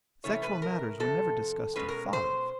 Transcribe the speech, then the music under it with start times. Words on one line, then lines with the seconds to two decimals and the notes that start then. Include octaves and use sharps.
Sexual matters were never discussed or thought of.
0.24 C3 E3 A3 C#4 C#5
0.43 B4
0.62 A#4
1.00 F2 C3 A4
1.76 B2 G#3 C#4 B4
1.89 A#4
2.13 C5